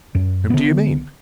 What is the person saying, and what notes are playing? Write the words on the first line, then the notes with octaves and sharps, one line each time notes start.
"Whom do you mean?"
F#2
D3 B3